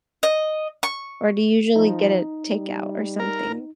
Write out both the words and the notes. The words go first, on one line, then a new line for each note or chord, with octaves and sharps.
or do you usually get it takeout or something?
D#5
C#6
F3 D#4
G3
A#4